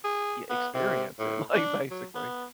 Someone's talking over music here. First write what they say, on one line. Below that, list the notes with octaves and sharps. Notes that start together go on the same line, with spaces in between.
yeah, experience it, like, basically
G#4
B3
C3
A2
D4
F#3
B3